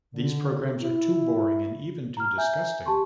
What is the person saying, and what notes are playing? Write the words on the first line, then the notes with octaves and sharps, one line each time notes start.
These programs are too boring and even too disgusting!
D3
E4
A#5 F6
E5 G#5 A#5 G6
G4 A5 C6 C#6